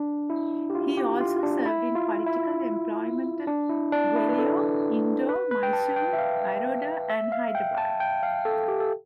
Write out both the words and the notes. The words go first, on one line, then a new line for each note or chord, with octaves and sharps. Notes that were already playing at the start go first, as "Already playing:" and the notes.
He also served in political employment at Gwalior, Indore, Mysore, Baroda and Hyderabad.
Already playing: D4
E4
G4
F4
G4
F4
D4
E4
F4
E4
D4
E4
D4
E4
B4
A4
B4
B4
G5
A5
G5
E5
F5
E5
F5
G5
A5
G5
F5
A4
G4
A4